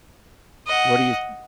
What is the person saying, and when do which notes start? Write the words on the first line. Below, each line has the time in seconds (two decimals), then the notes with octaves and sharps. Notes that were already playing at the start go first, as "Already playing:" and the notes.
what are you th
0.67 D#5 F#5